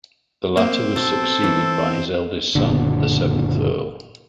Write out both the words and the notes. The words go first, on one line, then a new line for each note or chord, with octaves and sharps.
The latter was succeeded by his eldest son, the seventh Earl.
A#3 C4
B1 A4
E3
F#1 A#2 D3